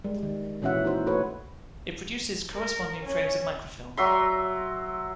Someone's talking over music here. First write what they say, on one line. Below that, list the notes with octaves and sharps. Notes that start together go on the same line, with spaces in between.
It produces corresponding frames of microfilm.
G3 G#3
D#3
A#2 E3 C#4 F#4 E5 F#5
D#4 F#4 C5
A3 F#4 B4 C#5
A#4
C#4
F#3 E5 C6